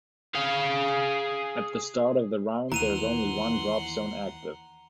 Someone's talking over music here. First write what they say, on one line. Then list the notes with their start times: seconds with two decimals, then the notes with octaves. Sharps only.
At the start of the round there is only one drop zone active.
0.35 G#4 F5
2.72 D#2 E3 F#5 A#5 C6 D#7 F7